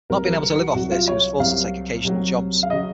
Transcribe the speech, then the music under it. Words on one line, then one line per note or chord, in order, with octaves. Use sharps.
Not being able to live off this, he was forced to take occasional jobs.
C2 C3 F#3 A#4
A#4
A#4
F#4
C2 C3 F#3 F#4
F4
C#5
C2 C3 F#3 F5
C2 C3 F#3
F5
C#3 F#3 D#5